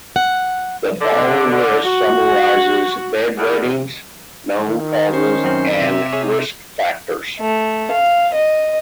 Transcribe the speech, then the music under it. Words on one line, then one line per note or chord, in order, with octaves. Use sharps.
The following list summarizes bedwetting's known causes and risk factors.
F#5
D3
F#4
E2
D#3
C#4 C5
F#2 C4
C3 E5
G#4 C#5
A3
F5
D#5